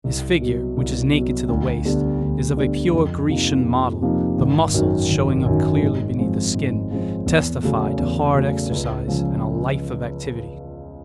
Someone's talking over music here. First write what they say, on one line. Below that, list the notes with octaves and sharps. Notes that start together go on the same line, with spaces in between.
His figure, which is naked to the waist, is of a pure Grecian model, the muscles, showing up clearly beneath the skin, testify to hard exercise and a life of activity.
C2
B2 F#3
C2
B2
F#3
D2
D3 G3 B3 D4
D2
D3 G3 B3 D4
F2
C3 F3 A#3 D#4
F2
C3 F3 A#3 D#4
G#1
F#2 D#3 F#3
G#1
F#2 D#3 F#3
G#2
F3 G#3 C4
G#2
F3 G#3 C4
E2
C#3 F#3 A3
E2
C#3 F#3 A3
C#2
C#3 F3 G#3 C#4